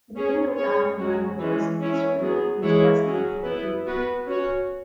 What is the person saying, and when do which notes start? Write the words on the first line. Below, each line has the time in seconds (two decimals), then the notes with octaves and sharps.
In Indo-Aryan languages, Sri means prestige or beauty.
0.16 C#4 G#4 C#5
0.56 C#4 G#4 C#5
0.97 G#3 C#4 F#4
1.39 E3 G#3 C#4
1.80 C#4 E4 C#5
2.21 F#3 B3 G#4
2.62 E3 G#3 E4 G#4 C#5
3.03 F#3 C#4 G#4
3.44 B3 E4 B4
3.85 B3 F#4 B4
4.26 C#4 F#4 C#5